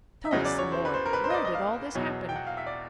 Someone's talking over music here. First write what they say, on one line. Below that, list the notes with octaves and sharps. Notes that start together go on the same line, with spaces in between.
"Tell us some more. Where did all this happen?"
E5
E2 C#3 F#3 D#5
D5
C#5
C5
B4
C5
A#4
B4
C5
D#5
D5
D#5
F5
E2 B2 F#3
G5
F#5
F5
E5
D5